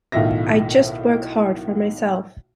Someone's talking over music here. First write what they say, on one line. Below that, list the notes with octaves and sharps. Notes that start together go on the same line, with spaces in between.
I just work hard for myself.
B1 A2 D#3 F4 E5 A#6